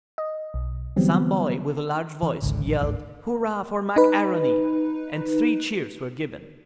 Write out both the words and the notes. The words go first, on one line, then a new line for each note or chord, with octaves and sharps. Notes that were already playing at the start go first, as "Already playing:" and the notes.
Some boy with a large voice yelled, "Hurrah for Mac A'Rony!" and three cheers were given.
D#5
B1
D3 E3 F#3 G3 B3 C4
E3
G#1 C#2 D3
A1
G#1 D2 D4
D#4 B4